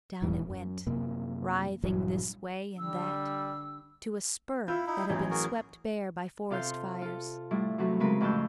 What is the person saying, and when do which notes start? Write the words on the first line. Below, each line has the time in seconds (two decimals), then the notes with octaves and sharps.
Down it went, writhing this way and that to a spur that had been swept bare by forest fires.
0.22 D#1 E2 G#2 E3
0.50 F#2
0.87 F#2 C3 A#3
1.84 A#1 G2 E3 F#3
2.78 D3 G3 E6
4.68 E4 F4 E5 F5 G6
4.87 D#4 E4
5.10 A1 E3 F#3 D#4
5.31 F#4 G#4 A#4
6.50 C3 F4 A4 F5 C6 G6
7.02 F4 A4
7.51 A2 G3 E4
7.78 C3 F#3 A3 F#4 A4 B4
8.00 C#3 G#3 C4 A#4 B4
8.21 F2 A2 C#3 A5 E6 G6